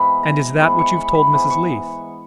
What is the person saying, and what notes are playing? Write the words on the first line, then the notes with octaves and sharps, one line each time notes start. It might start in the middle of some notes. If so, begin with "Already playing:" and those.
"And is THAT what you've told Mrs. Leath?"
Already playing: G#2 E3 B3 B5
A#5
G#2 E3 B3 B5
C#6
B5
B5
G#2 E3 B3 C#6
C#6